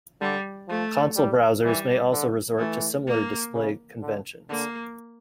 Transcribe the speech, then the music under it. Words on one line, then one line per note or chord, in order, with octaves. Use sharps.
Console browsers may also resort to similar display conventions.
D3 G3
F3 A3
G3
E3 G3
D3
E3 A3
A#3
C#3
D3
D3 A#3